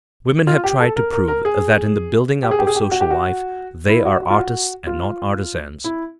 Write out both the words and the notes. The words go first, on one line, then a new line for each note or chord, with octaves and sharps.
Women have tried to prove that in the building up of social life they are artists and not artisans.
F4
G4
A4
A#4
A#4
A#4
G#4
G4
G#4
G4
G#4
G4
F#4
G4
F#4
E4
F#4
F#4
F4
F#4
F4
E4